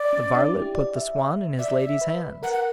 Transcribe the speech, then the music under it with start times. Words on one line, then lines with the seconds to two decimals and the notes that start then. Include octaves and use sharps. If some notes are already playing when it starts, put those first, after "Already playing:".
The varlet put the swan in his lady's hands.
Already playing: D5
0.13 C#4
0.34 D4
0.48 E4
0.61 G4
0.75 D5
0.96 E5
1.18 E5
1.59 D5 E5
1.80 E5
2.01 B4
2.43 A#4 F#5
2.53 F#5